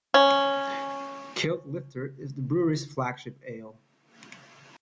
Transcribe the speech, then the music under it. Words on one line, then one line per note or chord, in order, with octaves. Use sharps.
Kilt Lifter is the brewery's flagship ale.
C#4